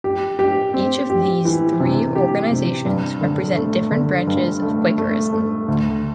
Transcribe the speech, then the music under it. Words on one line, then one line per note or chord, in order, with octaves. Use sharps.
Each of these three organizations represent different branches within Quakerism.
G4
G4
C4
G4
E3
C3
G4
C3
G2
D3
A3
D3
G2
A3
A3
A3
D2